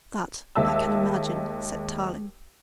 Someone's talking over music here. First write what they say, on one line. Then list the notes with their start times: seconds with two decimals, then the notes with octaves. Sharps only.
"That I can imagine," said Tarling.
0.55 D#2 G#3 E5 A5 E6